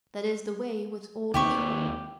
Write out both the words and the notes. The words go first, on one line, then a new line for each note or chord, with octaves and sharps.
That is the way with old people!
D#2 D#3 C4 G4 E5 C#6